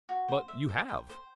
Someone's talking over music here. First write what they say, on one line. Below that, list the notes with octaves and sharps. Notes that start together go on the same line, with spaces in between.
"But you have."
F#4
C5
E5
C5
G5
C5